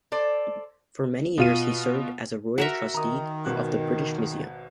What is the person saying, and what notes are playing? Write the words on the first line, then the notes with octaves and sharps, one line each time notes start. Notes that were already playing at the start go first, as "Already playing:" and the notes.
For many years he served as Royal Trustee of the British Museum.
A4 C5 D5
B2 F4 D#7
F#4 A#4 E5 F#5 C#7 E7
D#3 A#5 D#6
G#1 B2 F#6